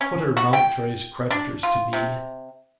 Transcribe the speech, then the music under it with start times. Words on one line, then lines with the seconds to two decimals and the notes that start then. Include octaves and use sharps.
What are Mountjoy's creditors to me?
0.01 C#4
0.37 F#4
0.53 G5
1.31 D4
1.63 F4
1.93 C3